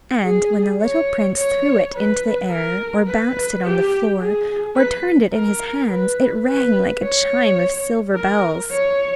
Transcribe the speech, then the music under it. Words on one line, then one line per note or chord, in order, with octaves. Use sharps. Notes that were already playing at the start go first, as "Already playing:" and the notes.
And when the little prince threw it into the air, or bounced it on the floor or turned it in his hands it rang like a chime of silver bells.
G#4
C#5
C#5
B4
A#4
B4
G4
G#4
B4
A#4
B4
B4
C#5
A#4
C#5